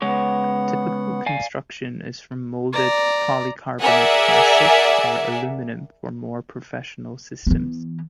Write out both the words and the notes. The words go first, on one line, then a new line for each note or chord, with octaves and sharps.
Typical construction is from moulded polycarbonate plastic, or aluminum for more professional systems.
C#3 G#3 B3 C#5 F#5
D5 F5 G#5
D5 A#5
G#4 A#4 D5 E5 F#5 G#5
E3 B3